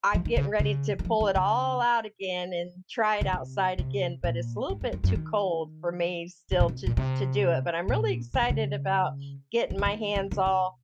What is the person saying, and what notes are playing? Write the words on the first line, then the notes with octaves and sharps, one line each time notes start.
I'm getting ready to pull it all out again and try it outside again, but it's a little bit too cold for me still to to do it but I'm really excited about getting my hands all
F3
D#3
C#3
C#3
D#3
F3
D#3
C#3
C#3
C3
C3
A#2
G#2
F#2
F2
F#2
D#3
C3
A#2
C3
A#2
C3
A#2
C#3
C3
C#3
D#3
C#3
D#3
C#3
C#3
C3